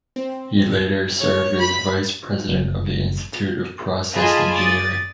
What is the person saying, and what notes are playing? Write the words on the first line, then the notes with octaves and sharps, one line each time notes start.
He later served as Vice President of the Institute of Process Engineering.
C4
C#5
B5
F#1
F4 G#4 D#5 G#5 A5 B5
D5 D#6 A6